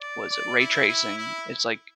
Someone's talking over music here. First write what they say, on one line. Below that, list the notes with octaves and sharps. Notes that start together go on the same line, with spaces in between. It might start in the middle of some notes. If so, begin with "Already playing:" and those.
was it ray tracing? It's like
D5
D5
E4
E4
E4